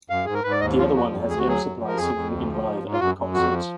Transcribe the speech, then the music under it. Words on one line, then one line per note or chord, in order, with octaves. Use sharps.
The other one has Air Supply singing in live at a concert.
F#2 F5
G#2 G#4
A#4
G#2 B4
D5
D#2 D#5
F3 F4
F2 F#4
F2
D2 G#4
F#4
F#3 G#4
F#2
F3
A#4
F2 G#4
F2
D2
F3
G#2
G#2
F4
F#2 F#4
F#2
F2 F#4
F3